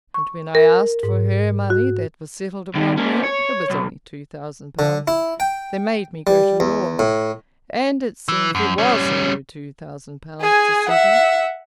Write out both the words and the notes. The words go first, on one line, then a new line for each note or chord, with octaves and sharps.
And when I asked for her money that was settled upon me,--it was only two thousand pounds,--they made me go to law, and it seems there was no two thousand pounds to settle.
C#6
A#4
G#2
F#4
G2 D#3
A#3 C#4
C#5
B1
D3
E4
G5
G3
E2
A2
E3
F#2
G3 C#4
G#4 G#5
E5 F#5